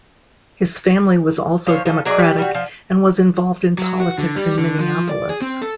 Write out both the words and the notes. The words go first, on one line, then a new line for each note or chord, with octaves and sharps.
His family was also Democratic and was involved in politics in Minneapolis.
F3 C5 C#5
F3 A4
F#3 G#4 D5 D#5
G3
G3 F#4
F3
F#3
F#4
D3
G3
D3
F3
D5
G#4
C4
A4